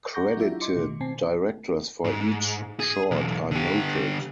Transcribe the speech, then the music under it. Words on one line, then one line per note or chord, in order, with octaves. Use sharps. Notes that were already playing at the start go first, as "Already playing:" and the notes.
Credited directors for each short are noted.
F#5 A#5 C#6 D6 G6 A#6
F#3 D4 E4 F4 G4 E5
D#5 C6 D6 C#7
A1 B2 D#3 A3
B2 C4 G#5 A5 C7
G#2
G#4
B1 E2
D3 G4